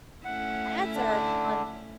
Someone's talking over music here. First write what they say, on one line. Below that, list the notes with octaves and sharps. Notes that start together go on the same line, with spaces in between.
ads are on
A3 C#4 E4 F#5
D3 D4